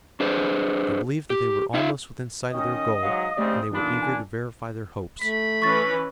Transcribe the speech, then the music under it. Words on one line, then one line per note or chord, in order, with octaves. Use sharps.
They believed that they were almost within sight of their goal, and they were eager to verify their hopes.
D4 G#4 B4 C5
G4
D#4 F4 E5
D#3 C#4 D#5 D#6
G#2 F#3 F5
D#2 C#3 A3 C4 G4 D5
E2 A#2 D3 D4 D#4 B5
G#5
A3 B5 B6
E3 C#4 B4 C#6 A6